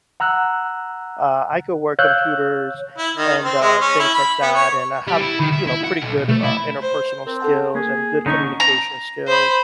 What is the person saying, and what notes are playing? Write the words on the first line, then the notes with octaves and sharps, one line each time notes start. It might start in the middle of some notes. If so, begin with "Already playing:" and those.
Uh, I could work computers and, uh, things like that and I have, you know, pretty good, uh, interpersonal skills and good communication skills.
F#5 A#5 E6 F#6
C#5 F5 E6 F#6 G6
E4
D#3
C4
G#3
C#4
E4
B5
B3
C#5
G3
E4
D#3
E5
E4
F#5
B1
B2
A3
E4
C5
C4 A#4
A4 F#5 A5
A#3 G#4
D3 C#4 D#4 C#6
A#5
C5 B5